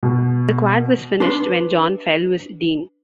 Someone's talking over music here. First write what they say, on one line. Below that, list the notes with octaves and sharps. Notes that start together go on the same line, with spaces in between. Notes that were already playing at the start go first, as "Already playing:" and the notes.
The quad was finished when John Fell was Dean.
B2
D4 B4 C6